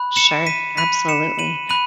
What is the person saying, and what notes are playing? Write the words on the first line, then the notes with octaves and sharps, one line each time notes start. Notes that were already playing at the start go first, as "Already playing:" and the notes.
Sure, absolutely.
Already playing: B5 F#6
C#7 E7
B6 D#7
B5 F#6 B6 D#7
C#7 E7
D#7 F#7
B5 F#6 D#7 F#7